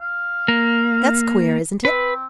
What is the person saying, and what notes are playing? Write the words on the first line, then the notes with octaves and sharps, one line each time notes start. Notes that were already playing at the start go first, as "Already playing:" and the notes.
That's queer, isn't it?
F5
A#3
C4 B4